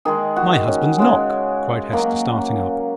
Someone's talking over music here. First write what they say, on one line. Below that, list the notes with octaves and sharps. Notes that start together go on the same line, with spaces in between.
"My husband's knock!" cried Hester, starting up.
D#3 G#3 G#4
F#4
C#4
C#3 G#3 C#4
C#3 F#3 A#3